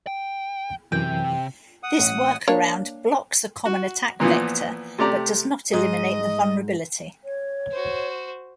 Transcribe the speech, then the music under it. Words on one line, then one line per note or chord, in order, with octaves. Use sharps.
This workaround blocks a common attack vector but does not eliminate the vulnerability.
G5
F#2 C3 E3 G5
F#5 D#6
A1
A#3 D4 C#5
F#4
A#2 E3 F3 B3
C3 A3 G4 D5 A#5
G#2 D#5
C#5
F#4 C5